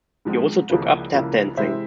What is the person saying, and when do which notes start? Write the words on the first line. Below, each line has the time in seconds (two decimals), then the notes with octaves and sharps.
He also took up tap dancing.
0.25 G#2 F3 G#3 C4
0.70 C#2 C#3 F3 A#3 E4
1.13 C#2 C#3 F3 A#3 E4
1.57 C3 E3 G#3 C4 E4 C5 E5